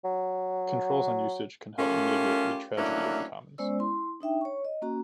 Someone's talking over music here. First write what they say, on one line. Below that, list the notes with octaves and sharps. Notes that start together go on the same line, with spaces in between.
Controls on usage can help mitigate the tragedy of the commons.
F#3
A3 C#4 F4 G4 A#4
F#3 A3 A#3 C#4 D4 E4
G#3 B3 C#4 C5 D5 E6
E4 C6
D4 D#4 E5 G5
C#5 C#6
D#5
A#3 C#4 F#4 A#5